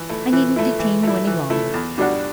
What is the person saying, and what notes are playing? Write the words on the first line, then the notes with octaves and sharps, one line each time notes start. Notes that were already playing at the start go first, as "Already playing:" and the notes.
I needn't detain you any longer.
Already playing: E3
A3 E4
E3
A3 E4
E3
A3 E4
E3
A3 E4
E2
D3 G3 D4 F#4